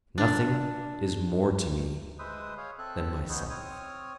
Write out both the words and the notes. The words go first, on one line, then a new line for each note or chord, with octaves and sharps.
Nothing is more to me than myself!
D4
G#3 B4 C5 E5 D#6
G#4 C#5 F5
C4 A4 E5 F#6
B3 C#4 D#4 G#4 C5
C4 C#5 D#6 F6